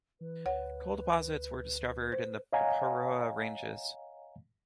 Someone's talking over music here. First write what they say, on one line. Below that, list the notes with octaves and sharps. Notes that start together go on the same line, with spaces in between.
Coal deposits were discovered in the Paparoa Ranges.
E3 B4
D2 C#5 F#5
C5
C#5 D#5 F5 F#5 G#5 A#5